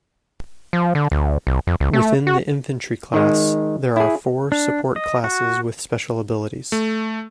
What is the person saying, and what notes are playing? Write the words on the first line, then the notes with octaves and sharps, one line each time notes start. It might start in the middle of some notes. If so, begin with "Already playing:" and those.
Within the infantry class, there are four support classes with special abilities.
F3
D3
D2
C2
F2
C#2
A3
F#4
D#3 G#3
E4 G#4
D4
D#5
F#4
A3